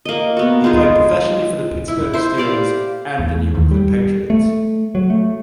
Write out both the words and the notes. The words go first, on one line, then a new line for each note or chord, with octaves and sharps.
He played professionally for the Pittsburgh Steelers and the New England Patriots.
A#3 D#5
B3 F#4
G#3 D#4 F4 G#4
E4
E4 C5
G4 D5 F5
E2
D#2
G3
A3
F#3
A3